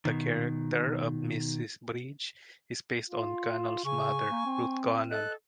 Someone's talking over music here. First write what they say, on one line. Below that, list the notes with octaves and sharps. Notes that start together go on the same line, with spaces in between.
The character of Mrs. Bridge is based on Connell's mother, Ruth Connell.
B2 D#3
F4
C#3 G#5 C#6
A#3
C4
A4 D#5 F#6